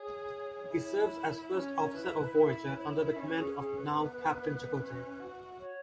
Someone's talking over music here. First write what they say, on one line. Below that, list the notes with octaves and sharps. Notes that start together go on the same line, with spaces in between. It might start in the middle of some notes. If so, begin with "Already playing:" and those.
He serves as First Officer of "Voyager", under the command of now-Captain Chakotay.
Already playing: G#4 C#5
E4
C#4 C#5
E4 B4
E4 E5
B4
C#5
E5
C#4 C#5
B4
G#4
C#4 G#4
B4
B3
C#4
F#4
C#5